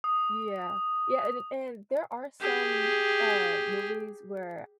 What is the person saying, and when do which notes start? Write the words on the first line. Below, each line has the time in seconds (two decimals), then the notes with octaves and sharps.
Yeah. Yeah, and and there are some, uh, movies where
0.04 D#6
2.40 G4 G#4